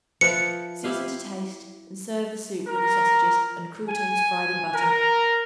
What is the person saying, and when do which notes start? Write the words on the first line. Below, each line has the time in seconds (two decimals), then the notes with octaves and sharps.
Season to taste and serve the soup with the sausages and croutons fried in butter.
0.21 F3 B4 E5 C#7
0.84 E4 G4 F5
2.66 A#4
3.88 G#5
4.74 A#4